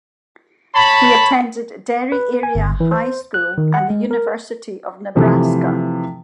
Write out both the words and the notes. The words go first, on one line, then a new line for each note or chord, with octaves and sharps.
He attended Derry Area High School and the University of Nebraska.
C#5 A5 B5
B4
G#5
G1
E3
C5
F#6
D#3
F#5
G#3
A#4
C3 E3 F3 A3